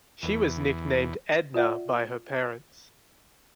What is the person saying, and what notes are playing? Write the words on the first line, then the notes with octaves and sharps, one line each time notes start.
She was nicknamed Edna by her parents.
E2
F4 D5 E5 F#5